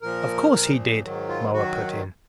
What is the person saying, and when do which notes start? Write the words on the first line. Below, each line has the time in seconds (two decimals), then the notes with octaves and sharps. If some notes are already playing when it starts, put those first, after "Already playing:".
"Of course he did," Moa put in.
0.02 A#2 F3 A#4
0.52 A#2 F3
1.03 G#2 D#3 F#3
1.28 F4
1.53 D#3 F#3 F#4